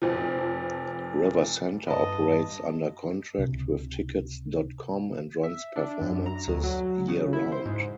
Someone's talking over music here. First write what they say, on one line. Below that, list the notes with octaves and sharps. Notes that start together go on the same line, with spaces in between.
RiverCenter operates under contract with Tickets dot com and runs performances year-round.
F1 F3
G2 B4 D#5 A5
C#2 C3
E5
D4
F#2
A#5
D2
F#3
C#3
E4
C5
G#2